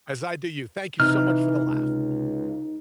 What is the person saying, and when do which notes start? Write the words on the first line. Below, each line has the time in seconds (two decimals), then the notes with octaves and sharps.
As I do you, thank you so much for the laugh.
1.00 C3 E3 D#4 F6
1.66 C#2